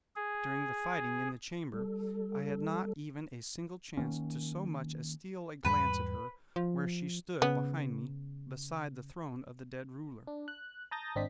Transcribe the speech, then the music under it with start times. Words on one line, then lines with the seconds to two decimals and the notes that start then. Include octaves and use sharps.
During the fighting in the chamber I had not even a single chance to so much as steal a glance at her where she stood behind me beside the throne of the dead ruler.
0.16 G#4
1.74 G3 A4
3.97 D#3 A#3 C#4
5.65 E2 G#2 G3 B4
6.56 F3
7.42 C#3 B3
10.27 D4
10.48 F#6
10.91 A5 A#5 D#6 G6 A6 A#6
11.16 G#1 C4 D4 D#5 B6